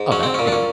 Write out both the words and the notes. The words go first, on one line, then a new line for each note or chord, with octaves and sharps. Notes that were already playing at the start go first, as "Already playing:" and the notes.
Oh, that's neat.
Already playing: G#2
F#3 C#4
C4
A#2 C#4
D4
C#4